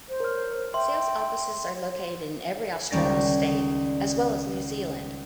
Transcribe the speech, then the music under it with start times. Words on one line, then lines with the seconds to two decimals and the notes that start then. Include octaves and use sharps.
Sales offices are located in every Australian state as well as New Zealand.
0.09 C5
0.20 A#4 C#5 F6
0.74 E5 G5 C6
2.91 C#2 D#3 G3 C#4 D5 A#6